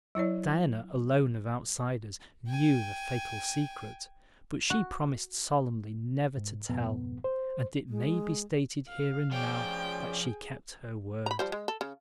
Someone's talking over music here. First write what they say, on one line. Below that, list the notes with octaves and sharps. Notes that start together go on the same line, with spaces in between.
Diana alone of outsiders knew the fatal secret, but she promised solemnly never to tell, and it may be stated here and now that she kept her word.
F#3 E4 C#5 D5
G5 G#5
F#4
G#2
F2 G#2 B2 B3
C5
G#3
F5
F3 C#4 G4 G#4 D5 G5
A#5 B5
F3 G3 C5
G#3
A4
C#3